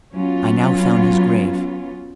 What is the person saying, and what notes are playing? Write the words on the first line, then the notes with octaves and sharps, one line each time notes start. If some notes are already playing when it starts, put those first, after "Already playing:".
I now found his grave.
F#3 B3 C#4 F4